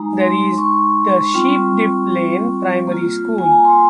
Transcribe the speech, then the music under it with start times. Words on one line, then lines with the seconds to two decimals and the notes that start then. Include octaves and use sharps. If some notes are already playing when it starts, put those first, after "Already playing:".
There is the Sheep Dip Lane primary school.
Already playing: G#3 D#4 A#5
0.20 C6
0.58 C#6
1.34 G3 C4 F4
2.87 A#3 F4
3.38 G#5
3.52 A#5
3.65 C6